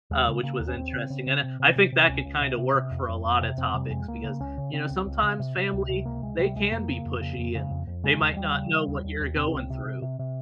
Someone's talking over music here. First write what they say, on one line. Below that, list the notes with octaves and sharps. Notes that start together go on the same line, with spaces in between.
Uh, which was interesting, and, I I think that could kinda work for a lotta topics, because, you know, sometimes family, they can be pushy, and they might not know what you're going through.
D#2 G#3
C#3
C#3 A#3
D#2
C#4
D#2 C4
C#3
C#3
C#3
C3
C3
C3
C3
C#2 C#4
C#2
C3
C3
C3
F2
F2
F2
C3
F2 C4
C3 G3
F2 G#3
C#2 A#3
C#3
C#2 C#4
C#3
C#3 C4
C#2
C#2
C#3
C3
C3
C#2
C3
C#2 A#3
C#2 G#3
C3 G3
C#2 G#3
F2 A#3
C#3
F2
C#3
F2
C#3
F2
F2
C#3 G#3
D#2
F3
D#2 G3
C#3
C#3
D#2
D#2
D#2
C3 C4
C#2
C3
C3
C3
C3